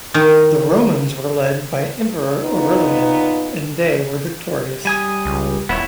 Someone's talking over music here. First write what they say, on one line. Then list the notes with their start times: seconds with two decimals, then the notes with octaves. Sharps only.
The Romans were led by Emperor Aurelian, and they were victorious.
0.14 D#3
2.43 A#2 B3 D#4
4.85 G3 G#5 D#6
5.25 C#2
5.69 D#1 B3 E4 C#5